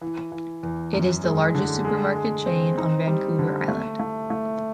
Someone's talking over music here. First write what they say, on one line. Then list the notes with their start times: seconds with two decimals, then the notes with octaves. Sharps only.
It is the largest supermarket chain on Vancouver Island.
0.01 E3
0.32 E3
0.63 E2
0.93 F#2
1.24 G#3
1.55 D3
1.85 G#3
2.15 G#3
2.46 C4
2.78 D#4
3.07 G3
3.39 D3
3.68 A3
4.00 A3
4.30 A3